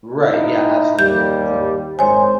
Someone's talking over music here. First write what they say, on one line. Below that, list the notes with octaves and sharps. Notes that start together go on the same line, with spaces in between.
Right, yeah, absolutely, mhm. Mhm.
D#4 E4
D#2 G3 G6
G#1 G#3 C5 C#5 G#5